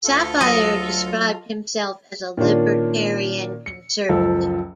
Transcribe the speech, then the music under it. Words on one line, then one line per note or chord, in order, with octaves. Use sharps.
Safire described himself as a libertarian conservative.
D2 F4 A4
F#3 D#5
A#2 D#3 C#4 D4 F4
C#7
F#1 C#2 F3 A4